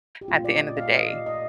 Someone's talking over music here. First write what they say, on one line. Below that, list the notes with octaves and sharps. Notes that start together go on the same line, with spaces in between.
at the end of the day.
G4
A#2 A3 C4 F4
D5
D#5
F5
D#5
D5
D#5